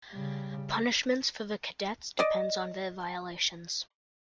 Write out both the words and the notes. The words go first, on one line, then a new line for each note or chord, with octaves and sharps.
Punishments for the cadets depends on their violations.
C#3 G3
D5 D#5